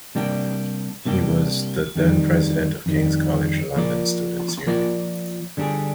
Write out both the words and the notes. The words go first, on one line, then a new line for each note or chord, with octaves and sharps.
He was the then President of King's College London Students' Union.
C3 G3 A#3 D4 G4
C3 G3 A#3 D4 G4
F2 D#3 G3
F2 D#3 G3
F3 A#3 F4 A#4 D5
F3 A#3 F4 A#4 D5
D3 G3 D4 G#4